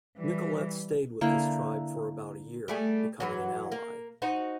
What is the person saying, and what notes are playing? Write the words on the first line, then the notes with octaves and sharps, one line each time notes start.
Nicolet stayed with this tribe for about a year, becoming an ally.
E3 G3
D3 A#3 E4 G5
G3 A3 G#4
F#2 E3 F#3
A#3
D#4 F#4 C5